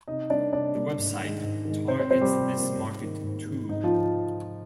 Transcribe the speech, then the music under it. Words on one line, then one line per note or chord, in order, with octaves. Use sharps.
The website targets this market too.
C3 D#4 D#5
G3 A#3 D4 D5
C3 D4 D5
G3 A#3
G#2
D#3 G#3
G#2
D#3 G#3
C3 C4 C5
C4 C5
F3 A#3 C4 C5
G3 G4
C3
F3 A#3
G#2
D#3 A#3
G#2
D#3 A#3
G#2 D#4
F3 F4